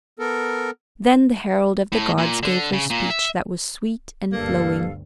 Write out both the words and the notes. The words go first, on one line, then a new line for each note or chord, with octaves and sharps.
Then the herald of the gods gave her speech that was sweet and flowing.
B3 A4 A#4
A2
A#2
D3
C#3
A#2
E5
G1 D2 G2 A#3 A4 F5